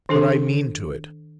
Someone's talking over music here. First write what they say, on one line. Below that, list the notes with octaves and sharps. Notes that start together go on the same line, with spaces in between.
But I mean to it.
D#3 D4 A4